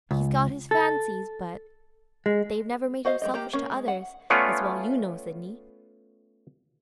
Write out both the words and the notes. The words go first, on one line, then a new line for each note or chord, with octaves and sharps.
He's got his fancies, but they've never made him selfish to others, as well you know, Sidney.
C#2
A4
G#3
F#4 C5 D#5 F5
G#3 G4 D#5
A#3 G4 A#5
A#3 C#4
G#3
F#5
A3 B3 C#4 F4 D5